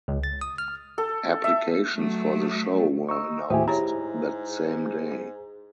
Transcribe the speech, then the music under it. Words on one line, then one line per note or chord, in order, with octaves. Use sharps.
Applications for the show were announced that same day.
C#2
A6
D#6
F6
A4
E5
F#3 A3
D#4 C#6 E6
D#2 A2 F#4 G4 C5 E5 G#5
G#2 E4 G4 C5 C#5 A#5